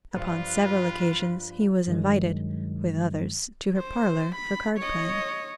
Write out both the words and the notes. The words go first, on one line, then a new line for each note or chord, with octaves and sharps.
Upon several occasions he was invited, with others, to her parlor for card playing.
G2 F3 G3 F4 B4
G2 D#3 F#3 G#3
C5
B5
C#5 D#5